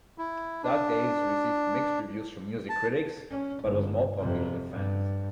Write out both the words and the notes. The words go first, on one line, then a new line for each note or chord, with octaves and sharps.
"Dark Days" received mixed reviews from music critics but was more popular with fans.
E4
D4
A5
C#4
G1
F2 C3
G2